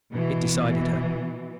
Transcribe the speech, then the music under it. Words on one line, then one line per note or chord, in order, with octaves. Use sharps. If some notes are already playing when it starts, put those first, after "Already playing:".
It decided her.
B2 E3